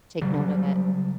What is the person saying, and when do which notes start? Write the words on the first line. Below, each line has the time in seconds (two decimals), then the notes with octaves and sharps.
take note of it.
0.22 C#3 F#3 G3